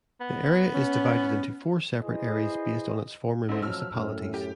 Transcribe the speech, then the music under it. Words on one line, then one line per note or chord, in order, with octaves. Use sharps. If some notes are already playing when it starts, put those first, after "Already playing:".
The area is divided into four separate areas based on its former municipalities.
B3
C#4
E4 G#4 B4 C5 D#5
A1 A3 C5
F3 F#3 E6 F6
F#2 A2
G4